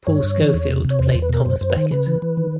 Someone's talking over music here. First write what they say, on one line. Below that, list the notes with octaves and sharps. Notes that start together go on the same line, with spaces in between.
Paul Scofield played Thomas Becket.
G2 C#5
G2
E3
E2
C3
C3
C#5
E2 C5
E2 C5
B4
B2 A#4
F#2 C5
F#2 C5
B4
D#3 C5
C#3 B4
E3
E3
D#3